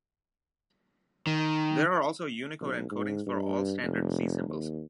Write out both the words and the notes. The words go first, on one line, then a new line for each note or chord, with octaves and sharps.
There are also Unicode encodings for all standard Z symbols.
D#3
B1
G#2
G2
F1
D#2